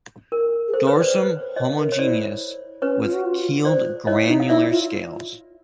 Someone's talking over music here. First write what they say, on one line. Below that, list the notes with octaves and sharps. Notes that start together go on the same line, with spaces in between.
Dorsum homogeneous with keeled granular scales.
A#4
G#4
A4 C5
B4 C#5
A#4
C5 D5
B4
B4 C#5 D#5
A#4
C#5
E4 C5 D5
C#4 B4 C#5
F4
F#4
F4
C5 D5
E4 C#5 D#5
D#4
F5
E4 D5 E5
F4